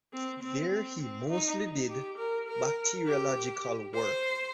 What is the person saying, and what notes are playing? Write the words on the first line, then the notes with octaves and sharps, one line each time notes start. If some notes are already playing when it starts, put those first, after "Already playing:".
There he mostly did bacteriological work.
C4
C4
C4
C4
D#4
G4
A#4
A#4
G4
C5